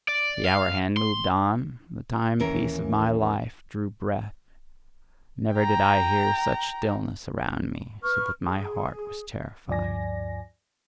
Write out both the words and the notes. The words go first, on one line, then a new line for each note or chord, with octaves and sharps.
The hour-hand moved on, the timepiece of my life drew breath--never did I hear such stillness around me, so that my heart was terrified.
D5
F5
C6
D#2 E3 C#4 A#4
G5 A#5
B4 C#6 F6
G#4
D2 G2 F3 D5 G#5 A#6